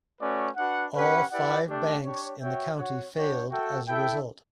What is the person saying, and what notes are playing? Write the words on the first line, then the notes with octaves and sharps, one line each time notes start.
All five banks in the county failed as a result.
A3 C#4 F#4 B4 D5
D4 F#4 B4 F#5
C#4 G4 B4 F#5
E4 G4 B4 D5 F#5
A3 D4 G4 D5 G5
D4 G4 C#5
F#4 C#5 E5 G5
F#4 C#5 F#5
D4 F#4 C#5 G5
F#4 A4 E5 G5
E4 A4 E5 G5